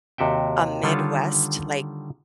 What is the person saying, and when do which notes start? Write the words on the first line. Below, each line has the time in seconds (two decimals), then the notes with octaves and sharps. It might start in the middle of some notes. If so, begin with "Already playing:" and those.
a Midwest, like,
0.18 D#2 C3 F#4 E5 G5
0.83 D3 D#3 G3 F4 C#5 A5